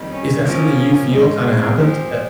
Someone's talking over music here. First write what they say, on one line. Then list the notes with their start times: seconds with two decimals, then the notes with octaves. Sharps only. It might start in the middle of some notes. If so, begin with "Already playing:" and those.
Is that something you feel kinda happened? Eh
Already playing: F2 D#3 G3
0.11 C#4
0.44 C3 F3 A#3 C#4 F4
1.11 G#2 D#3 G#3
1.44 C4
1.78 A#2 F3 A#3 C4 G4 C5